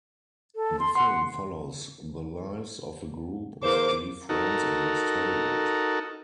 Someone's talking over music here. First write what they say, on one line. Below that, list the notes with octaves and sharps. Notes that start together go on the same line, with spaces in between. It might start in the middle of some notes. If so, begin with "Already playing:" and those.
The film follows the lives of a group of gay friends in West Hollywood.
A4
C6
F#5 C6
E2 A#3 C5 D6
D#4 F#4 A4 A#4